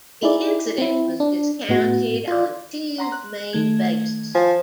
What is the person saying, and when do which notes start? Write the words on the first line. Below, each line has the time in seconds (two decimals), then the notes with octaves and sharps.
The incident was discounted on two main bases.
0.22 D#4 E4 G#4 D5
0.78 C4 E4
1.20 D4
1.69 A2 B3 F#4
2.28 F4 D5
2.98 F#5 A#5 C6
3.12 F#6
3.53 D#3 A3 G#6
4.35 F3 G#5